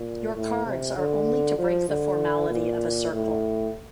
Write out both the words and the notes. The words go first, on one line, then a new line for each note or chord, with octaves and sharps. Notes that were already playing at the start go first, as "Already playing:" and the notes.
Your cards are only to break the formality of a circle.
Already playing: A#2
A2
C3
D3
F3
D3
A#2
A2